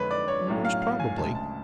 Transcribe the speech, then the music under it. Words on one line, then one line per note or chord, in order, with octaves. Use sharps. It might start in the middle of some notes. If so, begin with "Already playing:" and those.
"Most probably."
Already playing: F2 D3 G#3 D4 B4 C#5
D5
C#5
B1 A2 F#3 C#4
F5
F5
G#5
D2 C#3 G#3 A5
A5